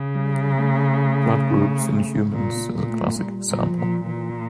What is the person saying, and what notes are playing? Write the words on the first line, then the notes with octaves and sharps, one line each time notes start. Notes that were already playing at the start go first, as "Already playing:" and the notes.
Blood groups in humans is a classic example.
Already playing: C#3
G3
A3
A#2 A#3
A#3
A#2
A3
G3
A#2
F3
A#2
A#2 E3